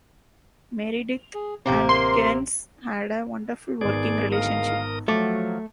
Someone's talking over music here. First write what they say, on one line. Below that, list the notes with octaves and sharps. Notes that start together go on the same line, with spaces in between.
Meredith and Kerns had a wonderful working relationship.
G#4
A1 C3 A#3 C4 G4
A#4 C6
G#1 B3 G#4 D5
D2 G#3 A#4 F5 D#6
F3 F#3 A3 D6